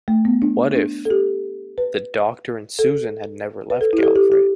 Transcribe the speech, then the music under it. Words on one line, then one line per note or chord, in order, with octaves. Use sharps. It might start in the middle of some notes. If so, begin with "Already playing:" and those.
What if... the Doctor and Susan had never left Gallifrey?
A3
B3
D4
D4
A4
G4
B4
A4
B4
A4
E4
G4
A4
G4
G4